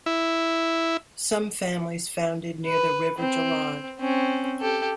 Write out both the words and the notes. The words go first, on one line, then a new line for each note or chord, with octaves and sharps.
Some families founded near the River Jalaud.
E4
B4
C4
C4 C#4
G4 A4